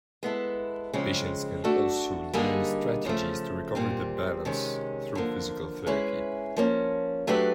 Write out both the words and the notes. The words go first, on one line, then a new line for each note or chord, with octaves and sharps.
Patients can also learn strategies to recover their balance through physical therapy.
G#3 B3 E4 A4
C#3 F3 G#3 C4
A3 D4 F#4 A4
D3 G3 A#3 D#4 G#4
C#3 F3 A3
A#2 G3 C4
C3 D#3 G#3 C#4
D3 F3 A#3
G#3 C#4 E4 G#4 B4
F3 A#3 C#4
F#3 A3 D4 G4 B4